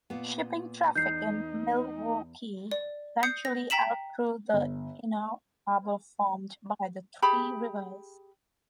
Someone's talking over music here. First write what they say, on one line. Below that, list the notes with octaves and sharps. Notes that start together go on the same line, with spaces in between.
Shipping traffic in Milwaukee eventually outgrew the "inner" harbor formed by the three rivers.
A#2 B3
E2 D#4 G6 C7
D5
D#6 G6 C7 C#7
A#6
G5 A#5 B6 E7 F#7
G1
G4 G#4 B5